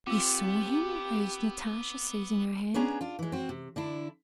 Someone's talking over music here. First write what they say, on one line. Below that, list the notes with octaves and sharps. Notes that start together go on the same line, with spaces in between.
"You saw him?" urged Natasha, seizing her hand.
B3 C4 F4 G4 D6 E6
B3 C#4 D4 G#4 A#5
D4 F4
E3 G#3
C4 F#4
C3
D3 D4 E4